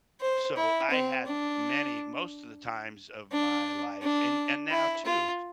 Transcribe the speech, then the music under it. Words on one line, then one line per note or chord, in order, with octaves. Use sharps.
so I had many most of the times of my life, and and now too,
C5
E4
C4
D4
D4
D4
E4
F4